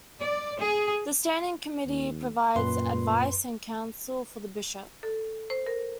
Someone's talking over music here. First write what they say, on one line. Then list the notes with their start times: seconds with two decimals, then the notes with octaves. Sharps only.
The standing committee provides advice and counsel for the bishop.
0.21 D5
0.60 G#4
1.85 D#2
2.56 F#2 A#2 B4 C6
5.03 A4
5.50 C5
5.66 A#4